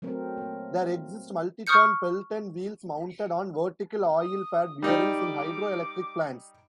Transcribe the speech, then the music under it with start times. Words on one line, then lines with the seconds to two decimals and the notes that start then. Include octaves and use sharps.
There exist multi-ton Pelton wheels mounted on vertical oil pad bearings in hydroelectric plants.
0.02 F#3 A3 C4 A#4
0.37 A#3
1.67 C#6 D#6 F6 G6 C#7
4.18 D#6
4.82 G3 D#4 D6